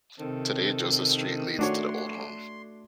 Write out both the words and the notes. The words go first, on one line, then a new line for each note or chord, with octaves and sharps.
Today, Joseph Street leads to the old home.
C3 D#3 C4 A4
A3 D4 F#4 C#5 C6